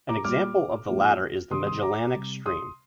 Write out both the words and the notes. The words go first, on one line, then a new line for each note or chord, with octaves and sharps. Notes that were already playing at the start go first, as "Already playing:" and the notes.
An example of the latter is the Magellanic Stream.
A#5 D6
A#2 G3 D6 F6
A#2 F3 G#3
C3 D#3 G3 C6 D#6
C6 D#6
A#5 D6
C3 G3
C6 D#6